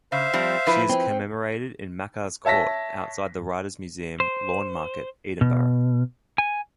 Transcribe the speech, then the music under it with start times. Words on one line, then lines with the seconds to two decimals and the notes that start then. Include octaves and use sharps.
She is commemorated in Makars' Court, outside the Writers' Museum, Lawnmarket, Edinburgh.
0.12 C#3 C5 E5 F5
0.33 F3 G3 C4
0.67 F3 E4 B4
0.90 C4
2.45 C#5 E5 A5 A#6 B6
4.20 C5
5.41 B2
6.38 G#5